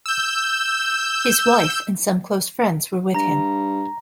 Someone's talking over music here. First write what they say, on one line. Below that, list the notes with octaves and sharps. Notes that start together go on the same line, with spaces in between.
His wife and some close friends were with him.
E6 G6
G2 A#5 A#6